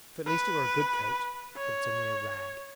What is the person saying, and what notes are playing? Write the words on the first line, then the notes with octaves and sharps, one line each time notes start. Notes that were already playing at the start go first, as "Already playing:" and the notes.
'If at least it were a good coat, but it's a mere rag.'
B4
C#5